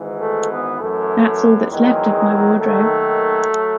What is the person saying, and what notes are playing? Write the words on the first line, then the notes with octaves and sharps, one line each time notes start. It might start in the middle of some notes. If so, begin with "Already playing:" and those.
That’s all that’s left of my wardrobe.
Already playing: G#1 G#2 E3
A3
B3
F#2 E3 A3
E2 D#3 F#3 G#3
D#2 D#3 F#3 A3
F#3